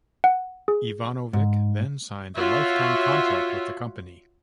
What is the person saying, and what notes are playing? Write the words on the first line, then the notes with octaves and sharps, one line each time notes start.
Ivanovic then signed a lifetime contract with the company.
F#5
G#4
G#2
F4 F#4 C#5 E5